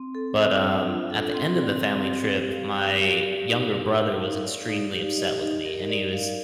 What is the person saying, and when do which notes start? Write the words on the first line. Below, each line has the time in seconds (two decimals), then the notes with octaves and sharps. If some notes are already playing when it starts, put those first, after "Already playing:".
but, um, at the end of the family trip, my younger brother was extremely upset with me, and he was
Already playing: C4
0.15 A4
0.38 C5
0.63 D4
0.86 F4
1.11 A4
1.34 C4
1.58 D5
1.82 C4
2.07 G4
2.30 C5
2.54 F5
2.78 G4
3.02 G4
3.26 D5
3.49 D#4
3.74 A#4
3.98 F5
4.22 D#4
4.46 D5
4.69 D#4
4.93 G4
5.18 D#5
5.42 D#4
5.66 A#4
5.89 D5
6.13 F5